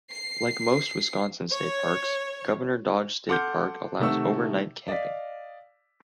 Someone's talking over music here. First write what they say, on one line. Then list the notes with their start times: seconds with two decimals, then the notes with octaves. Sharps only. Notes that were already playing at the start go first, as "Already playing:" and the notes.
Like most Wisconsin State Parks, Governor Dodge State park allows overnight camping.
0.11 C7
1.50 C#5
3.28 A4 F#5 C6 D6 F6 G6
4.00 C3 D#3 A3 F#5 C#6 E6
4.88 D5 D#5 F5 B6